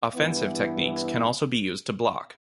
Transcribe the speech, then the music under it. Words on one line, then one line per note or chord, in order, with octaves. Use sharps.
Offensive techniques can also be used to block.
G2 E3 B3 E4